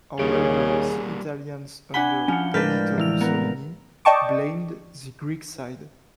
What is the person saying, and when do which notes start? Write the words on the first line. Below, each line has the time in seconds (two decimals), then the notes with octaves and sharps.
However, the Italians under Benito Mussolini, blamed the Greek side.
0.19 D#2 C#3 G3 A#3 G#4
1.94 D4 F#5 G#5 B5 G7
2.28 F3 C#4 F#5
2.54 A2 G#3 D4 A#4 B4 D5 F6 G6
2.98 E3 E4 F7
3.20 B3 A#4
4.05 D5 D#5 G5 A5 C#6 D6